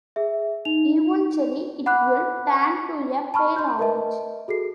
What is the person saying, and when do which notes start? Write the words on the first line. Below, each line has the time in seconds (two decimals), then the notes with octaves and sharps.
Eventually it will turn to a pale orange.
0.16 G#4 E5
0.65 D#4 F7
1.86 F#5 B5 D6 F#6
3.34 A5 B5 C#6 F6
3.56 C6 G6
3.79 A#4 B4 D#5 E5 A5
4.48 F#4 G#4 A4 C7